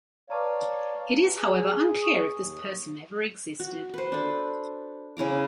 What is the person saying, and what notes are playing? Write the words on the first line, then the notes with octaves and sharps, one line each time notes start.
It is, however, unclear if this person ever existed.
B4 C#5 D5 F5 A5 A#5
G#4
C#6 D#6
D#2
F#4
B4 C5
D4 A4
C#3 E4 A#5 D6